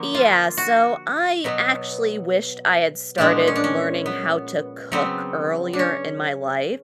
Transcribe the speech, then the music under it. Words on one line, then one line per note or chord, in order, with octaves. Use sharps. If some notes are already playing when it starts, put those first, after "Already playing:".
Yeah, so I actually wished I had started learning how to cook earlier in my life.
Already playing: D3 F3 A#3
F4
F#4
B2 F#3 B3
A#2 F3 G#3 B3 D4
C#4
D4
C#4
B3
C#3 F#3 B3 C4
D4
C#4